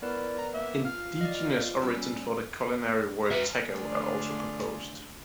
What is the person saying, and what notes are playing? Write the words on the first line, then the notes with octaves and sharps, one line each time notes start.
Indigenous origins for the culinary word "taco" are also proposed.
B3 E4 A#4 B4 D5
A#5
A#3 E5
F4 F5
D5 D#5
G3 C#4 E6
F#4 B4 E5
D3 A3 D4 F4 G#4 D5